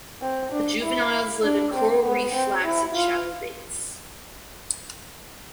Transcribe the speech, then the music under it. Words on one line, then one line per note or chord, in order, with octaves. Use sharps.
The juveniles live in coral reef flats and shallow bays.
C4
D4
E4
D4
C4
B3
C4
E4
F4